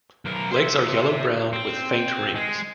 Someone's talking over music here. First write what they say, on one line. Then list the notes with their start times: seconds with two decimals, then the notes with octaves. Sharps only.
Legs are yellow brown with faint rings.
0.25 B1 A#4
0.52 C5 E5
1.53 C4
2.36 G#3